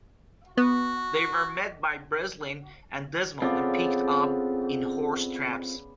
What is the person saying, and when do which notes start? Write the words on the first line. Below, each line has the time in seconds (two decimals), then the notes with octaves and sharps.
They were met by Breslin and Desmond and picked up in horse traps.
0.57 B3 F#4
3.42 C#3 B3 C4 F4 A4 D5